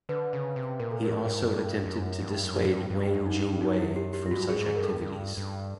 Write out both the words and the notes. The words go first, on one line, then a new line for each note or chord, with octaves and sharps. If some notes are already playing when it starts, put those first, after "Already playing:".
He also attempted to dissuade Wang Jingwei from such activities.
D3 B4
C#3
C3
A#2 A#4
A4
A2 A#4
G#2
F#2
G2
F#2
G2
F#2
G2
G2
F#2
D#4
G2
F#2 D#4
E4
G4
G4
F4
G2 F#4
G2 G#4
G#2
G#4
G2 A#4
A4
G2
G2